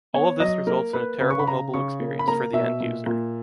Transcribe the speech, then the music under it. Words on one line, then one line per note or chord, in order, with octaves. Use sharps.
All of this results in a terrible mobile experience for the end user.
B3 C#5
F#3 D#5
A#3 A#4
A#3 B4
C#3 B4
C#6
B5
C#3 A#5
C#3 C#6
A#3
B5
A#3 A#5
B2 E5
A#2
A#2